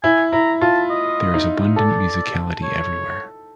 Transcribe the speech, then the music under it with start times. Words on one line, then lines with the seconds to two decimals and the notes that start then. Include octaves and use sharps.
There is abundant musicality elsewhere.
0.03 E4 G#5
0.33 E4 A#5
0.61 F4 A5
0.90 D#5
1.34 D#4
1.76 A4 D5
2.63 C#5